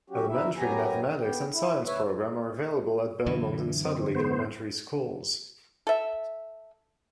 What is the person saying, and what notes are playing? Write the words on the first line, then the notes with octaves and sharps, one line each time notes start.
Elementary Mathematics and Science Program are available at Belmont and Sudley elementary Schools.
F#3 C#4 F#4 G4
D#4 E4 E5
F#2 F#3 B3 G4 G#5 A#5
B3 G4 G5
E4
D2 B4 C#5 E5
F#2 D3 E3
C4
B3 C5
A4 E5